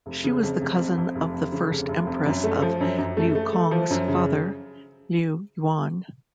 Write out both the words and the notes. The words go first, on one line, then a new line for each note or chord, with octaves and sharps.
She was the cousin of the first empress of Liu Cong's father Liu Yuan.
F1
C#3
F2
F1
F2
F2
F1
F2
C#3
F1
F1
F2
F#2
A3
F3
F#2
F#2
A3
A3
A3
F3
F#2
C#3